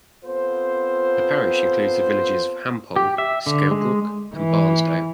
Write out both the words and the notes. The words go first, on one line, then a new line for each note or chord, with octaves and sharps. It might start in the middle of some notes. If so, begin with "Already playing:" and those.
The parish includes the villages of Hampole, Skelbrooke and Barnsdale.
B3 C4 F4 A4 C5
G4
E5
D3
G#3
E3